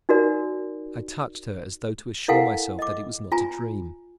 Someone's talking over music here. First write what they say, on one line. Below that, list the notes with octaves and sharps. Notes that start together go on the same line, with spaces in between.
I touched her as though to assure myself that it was not a dream.
D#4 F#4 A#4 D5
E4 A4 A#4 F5 F#5 G#5
D#5 D6
F4 G#5 A#5